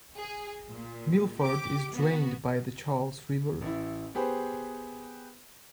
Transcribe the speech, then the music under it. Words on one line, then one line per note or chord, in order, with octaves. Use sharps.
Milford is drained by the Charles River.
G#4
A#2
G4 D6
B3 F#4
A1 E4
B3 G4 G#4 B4 C5